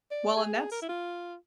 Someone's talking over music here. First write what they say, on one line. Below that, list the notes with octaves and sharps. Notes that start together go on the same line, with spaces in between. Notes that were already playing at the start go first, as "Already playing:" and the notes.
Well, and that's
D5
G#4
G#4
A#4
E4
F4